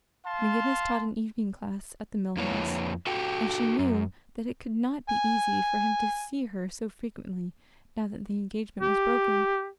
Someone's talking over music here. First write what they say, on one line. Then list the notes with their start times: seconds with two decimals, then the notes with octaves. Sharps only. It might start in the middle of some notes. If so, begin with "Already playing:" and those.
McGinnis taught an evening class at the Mill House, and she knew that it could not be easy for him to see her so frequently now that the engagement was broken.
0.24 F5 A5 C6
2.37 F2 A#3 E4 B4 C#5
3.07 F#4 G4 A4 G5
3.79 F#2
5.09 G#5
8.80 G4